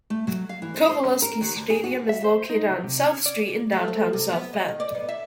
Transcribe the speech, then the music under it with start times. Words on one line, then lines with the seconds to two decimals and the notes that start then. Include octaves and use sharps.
Coveleski Stadium is located on South Street in downtown South Bend.
0.10 A3
0.27 F#3
0.49 F5
0.62 E3
0.74 C5
0.89 C5
1.05 C#4
1.22 A#4
1.41 D#2
1.56 D2
1.70 G#4
1.84 F#4
2.09 E5
2.24 C5
2.50 D#4
2.70 C#3
2.84 C3
3.06 C#4
3.26 D5
3.72 A3
3.88 C4
4.13 C3
4.32 B3
4.53 D#5
4.68 D#3
4.80 D5
4.95 B3
5.09 E5